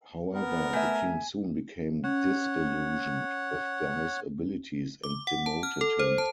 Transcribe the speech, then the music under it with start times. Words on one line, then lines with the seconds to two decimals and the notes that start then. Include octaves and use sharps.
However, the king soon became disillusioned with Guy's abilities and demoted him.
0.33 B3 A#4
0.73 A3 E5 G#5
2.04 C#4 C#5 F#5
5.04 D6
5.27 F#5
5.46 A5
5.63 F6
5.81 A4
5.99 C5
6.18 A5